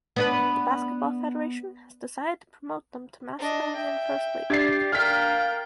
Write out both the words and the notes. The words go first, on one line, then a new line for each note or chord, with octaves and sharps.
The Basketball Federation has decided to promote them to Macedonian First League.
B3 D4 B4
D4 D#5
E5 G5
D4 G4 D5 G#6 A6 C7
A#3 F5 G5 F6 A6 B6